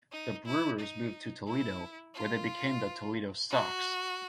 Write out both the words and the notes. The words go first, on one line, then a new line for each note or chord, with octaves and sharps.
The Brewers moved to Toledo, where they became the Toledo Sox.
D#4
E4
D#4
E4
F4
F#4